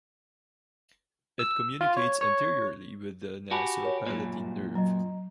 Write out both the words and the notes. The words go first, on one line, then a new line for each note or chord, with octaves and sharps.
It communicates anteriorly with the nasopalatine nerve.
E6
F4
C#5
C#5
F#4 G4 G#5 A5 B5
A#4 C#5
F#2 A#2
F#3 D#5 A#5